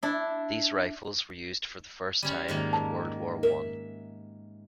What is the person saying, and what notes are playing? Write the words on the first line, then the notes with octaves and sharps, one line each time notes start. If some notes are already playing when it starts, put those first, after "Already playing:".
These rifles were used for the first time in World War One.
D4 E4
G3 C#4 F4
G#2 D#3 A#3
A5
A#4 E5